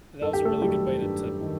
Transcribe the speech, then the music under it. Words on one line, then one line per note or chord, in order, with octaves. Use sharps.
that was a really good way to to
G2 A4
G4
A3 A4
D#3 F#3 G3 G4
G2
D#3